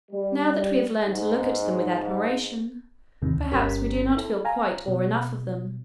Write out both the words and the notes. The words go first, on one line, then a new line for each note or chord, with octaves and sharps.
Now that we have learned to look at them with admiration, perhaps we do not feel quite awe enough of them.
G3
G#2
E2 G#2 C3 D#3
D2
G1 G2 C#4 G4 A#4 B6
E4 A4
F5 G#5 A#5
B2